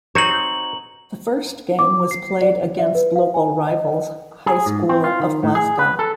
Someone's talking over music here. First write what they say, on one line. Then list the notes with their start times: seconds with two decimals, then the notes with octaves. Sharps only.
The first game was played against local rivals High School of Glasgow.
0.15 C4 D#4 F#4 C#5 A#5 F#7
1.79 D6
2.11 C7
2.41 D5
2.79 E5
2.95 B4
3.16 F5
3.34 G#5
3.67 D#5
4.46 G#4
4.66 G#2
4.89 C4
5.04 F4
5.20 D#3
5.43 A2
5.55 G#4
5.79 B4
5.99 A4